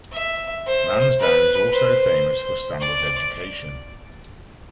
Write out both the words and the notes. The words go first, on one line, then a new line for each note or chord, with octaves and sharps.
Lansdowne is also famous for standard education.
E5
C5
B4
C5
D5